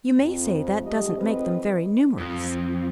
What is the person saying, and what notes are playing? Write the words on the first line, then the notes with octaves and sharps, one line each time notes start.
You may say that doesn't make them very numerous!
F2
F2 G#2 G3 A3 G4 D#5
F2 G#2 C4 B4 D#5
F2